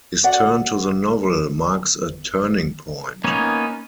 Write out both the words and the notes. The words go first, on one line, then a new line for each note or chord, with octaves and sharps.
His turn to the novel marks a turning point.
F#4 C#5 D5 F#5
A#3 B3 C#4 D#4 C#5